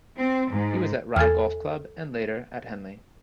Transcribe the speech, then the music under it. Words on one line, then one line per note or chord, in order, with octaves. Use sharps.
He was at Rye Golf Club and later at Henley.
C4
G#2
E2 A4 G#5 F6